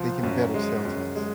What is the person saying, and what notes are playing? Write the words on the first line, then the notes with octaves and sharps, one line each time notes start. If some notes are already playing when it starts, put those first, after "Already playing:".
they can better sell to us.
Already playing: C2 F3
F#2
G#3
F#2
G#3